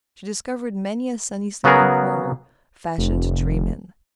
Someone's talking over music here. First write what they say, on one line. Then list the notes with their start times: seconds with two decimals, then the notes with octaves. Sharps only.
She discovered many a sunny, sleepy corner, fashioned to dream in.
1.64 C#3 F#3 B3 F#4 G#4 A#4
2.98 F1